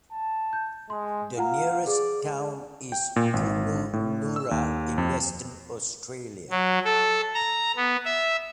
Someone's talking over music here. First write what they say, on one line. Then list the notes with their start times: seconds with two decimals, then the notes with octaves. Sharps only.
The nearest town is Kununurra in Western Australia.
0.12 A5
0.53 G6
0.90 G#3 C6
1.37 F4 F5 F#5 A#5
1.87 G#4 D5
2.23 G#3
2.92 G5
3.16 A#2
3.33 G#1
3.93 A2
4.36 E6
4.51 D#2
4.98 F2
6.50 F#3
6.85 A4
7.34 A#5
7.76 B3
8.05 E5